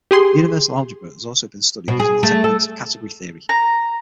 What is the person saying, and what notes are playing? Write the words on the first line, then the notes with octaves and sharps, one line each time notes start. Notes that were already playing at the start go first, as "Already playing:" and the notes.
Universal algebra has also been studied using the techniques of category theory.
G4 G#4 C6
B2
G#4
A3
A4
A#5